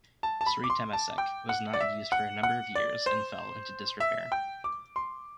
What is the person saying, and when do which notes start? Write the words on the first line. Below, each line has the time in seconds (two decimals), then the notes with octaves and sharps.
Sri Temasek was not used for a number of years and fell into disrepair.
0.23 A5
0.41 A5
0.46 B5
0.64 D6
0.70 C6
0.93 A5
1.18 G5
1.49 F#5
1.73 D5
1.81 E5
2.12 F#5
2.43 F#5
2.75 D5
3.06 C5
4.00 E5
4.32 G5
4.64 D6
4.96 C6